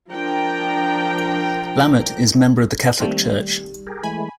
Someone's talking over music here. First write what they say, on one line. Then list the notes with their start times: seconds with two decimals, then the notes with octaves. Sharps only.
Lammert is member of the Catholic Church.
0.11 F3 D4 A#4 G5 A#5
3.00 D#3 G3 A3 A#3 C4
3.87 G4 G#4 A#4
4.03 E3 G#3 A3 G#5 B5